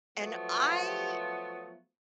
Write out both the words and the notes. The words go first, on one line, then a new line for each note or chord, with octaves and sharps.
and I,
F3 F#3 A3 B3